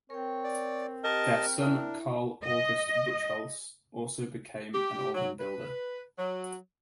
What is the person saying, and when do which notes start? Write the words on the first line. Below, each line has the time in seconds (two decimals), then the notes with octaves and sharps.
Their son Carl August Buchholz also became an organ builder.
0.10 C4 A#4 C#5 G5
0.44 D5
1.04 G4 A#4 D#5 A5
1.60 D4 E4 A#4 E5
2.43 D#5
4.74 G4
5.15 F#3
5.40 B4
6.19 F#3